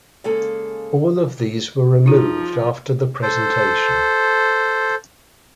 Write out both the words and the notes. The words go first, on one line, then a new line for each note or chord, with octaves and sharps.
All of these were removed after the presentation.
C#3 G#3 A#3 A4
F3 D#4 F4 F#4 G#4
A4 C5